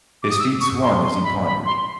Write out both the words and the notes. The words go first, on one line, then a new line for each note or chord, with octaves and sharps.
His feet swung as he pondered.
D6
D#6
E6
C#6
C6
C6
B5
B5
C6